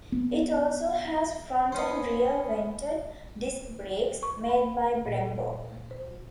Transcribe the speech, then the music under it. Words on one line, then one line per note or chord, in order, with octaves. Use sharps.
It also has front and rear vented disc brakes made by Brembo.
B3
B3 C#4 C5
C#6
B5
A#2
C5